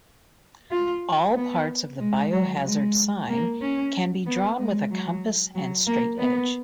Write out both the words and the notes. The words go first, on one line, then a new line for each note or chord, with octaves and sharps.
All parts of the biohazard sign can be drawn with a compass and straightedge.
F4
B3
G#3
F#3
G#3
A#3
C#4
B3
G#3
F#3
F#3
A#3
B3